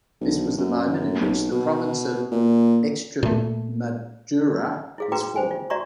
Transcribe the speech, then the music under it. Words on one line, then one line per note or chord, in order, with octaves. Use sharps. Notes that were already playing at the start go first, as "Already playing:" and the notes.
This was the moment in which the province of Extremadura was formed.
B1
F#2
B1
B2
A#2
A#2 A3
E4 G#4 F5
F4 F#4 B4 G5 A#5 D6
C5 G5 G#5
F4
F#4 D5 E5 A#5 C#6